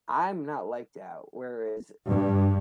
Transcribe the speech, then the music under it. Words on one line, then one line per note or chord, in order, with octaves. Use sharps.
I'm not like that. Whereas,
G2